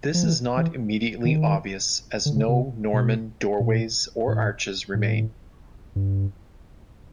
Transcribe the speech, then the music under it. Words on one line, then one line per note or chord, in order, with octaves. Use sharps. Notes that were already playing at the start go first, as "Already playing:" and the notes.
This is not immediately obvious as no Norman doorways or arches remain.
F3
E3
E3
D#3
D3
C#3
C3
B2
A#2
A2
A2
G2